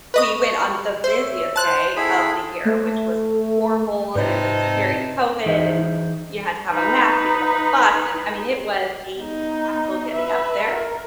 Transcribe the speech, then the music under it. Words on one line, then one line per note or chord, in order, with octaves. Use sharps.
we went on the busiest day of the year, which was horrible, and it was during COVID, and you had to have a mask to get on the bus and, I mean, it was a hassle getting up there,
B4 D#5 C#6 D#6
C5 C#5 E5
C5 A5 F#6
C4 E4 G#4 A4 F#5 B5
A3
G#2 C3 C4 D#4 B4 A5
E3 D#4 G#4 C5 D#5 E5
D#4 B4
B3 D#4
B4 E5
A#4